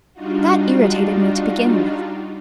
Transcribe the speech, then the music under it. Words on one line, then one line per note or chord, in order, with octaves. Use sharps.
That irritated me, to begin with.
G3 D4 D#4 F4 F#4